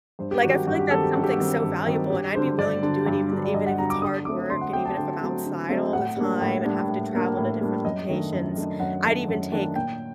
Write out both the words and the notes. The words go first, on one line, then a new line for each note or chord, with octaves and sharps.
Like, I feel like that's something so valuable, and I'd be willing to do it even even if it's hard work and even if I'm outside all the time and have to travel to different locations. I'd even take,
G2 C5
G4
D#3 F#3 C4 F#4
G4
G2 F#4
G4
D#3 F#3 C4 A4
G4
G2 F#4
G4
F#4
D#3 F#3 C4
G2
D#3 F#3 C4
G2 G4
D3 F#3 C5
G2 D5
D3 F#3
G2
D3 F#3
D5
G2 D#5
F#5
D3 F#3 A#5
D6
D3 D#6
F#3 A3 C4 D6
D3 C6
F#5
F#3 A3 C4 G5
A5
D3 G5
F#3 A3 C4
D3
F#3 A3 C4
A2 F#5
G3 A#3 D4
A2
G3 A#3 D4
A2
G3 A#3 D4
A2
G3 A#3 D4
F#2 D#5
D#3 A3 D4
F#2
D#3 A3 D4
F#2 F#5
D#3 A3 D4
F#2
D#3 A3 D4
A#2 G5